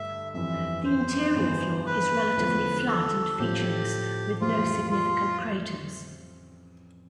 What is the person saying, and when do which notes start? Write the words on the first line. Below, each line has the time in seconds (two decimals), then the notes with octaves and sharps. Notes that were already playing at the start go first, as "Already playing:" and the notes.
The interior floor is relatively flat and featureless, with no significant craters.
Already playing: G2 D3 A3 E5
0.34 G1 F2 E3 G3 E5
0.85 C5
1.35 G2 E3 B3 E4
1.86 B4
2.37 E2 D3 F3 A3
2.88 A4
3.39 A1 A2 F3 A3 G4
4.40 F2 E3 G3 C4 F4
4.91 F4